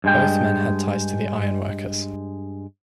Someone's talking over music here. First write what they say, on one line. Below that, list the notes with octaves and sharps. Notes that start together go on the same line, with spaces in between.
Both men had ties to the Ironworkers.
G2 G#3 G5